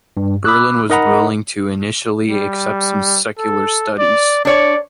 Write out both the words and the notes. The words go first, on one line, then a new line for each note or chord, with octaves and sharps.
Berlin was willing to initially accept some secular studies.
G2
B5 D6 E6 F#6
D#4 A#4 D#5 F#5 A#5 B5
G3
A4
D5
D4 C#5 D5